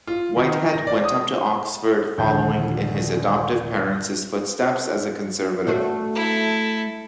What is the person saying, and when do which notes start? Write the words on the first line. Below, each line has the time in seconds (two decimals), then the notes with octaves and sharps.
Whitehead went up to Oxford following in his adoptive parents' footsteps as a Conservative.
0.07 F4
0.36 D#3
0.74 A#6
0.87 D5
1.04 D#6
2.18 A#1 D#2 D3 G6
5.67 A3 D4 F#4
6.15 E4 A4